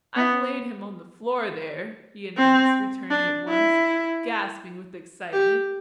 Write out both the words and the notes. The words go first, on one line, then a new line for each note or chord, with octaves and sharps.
"I've laid him on the floor, there," he announced, returning at once, gasping with excitement.
B3
C4
D4
E4
G4